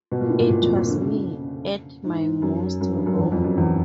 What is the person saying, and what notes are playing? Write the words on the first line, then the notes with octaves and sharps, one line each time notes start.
It was me at my most raw.
B2
A#2
A2
A#2
A#2
F2
A#2
D3
C#3
C#3
G#2
F#2
F#2
G2
F#2
E2
F2
F#2
E2